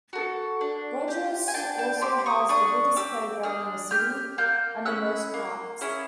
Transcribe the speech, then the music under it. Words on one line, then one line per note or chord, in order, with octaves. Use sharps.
Rogerius also has the biggest playground in the city and the most parks.
F#4 A4
D4
G4
G#5
D4 G5 A5
G5 A5
G4 C6 D6
C#6 D#6
D4 C#6 D#6
G4 D6 E6
D4 D#6 F6
G4 F6 G6
A#3 F6 G6
C#4 E4 G#4 E6 F#6
A#3
C#4 E4 G#4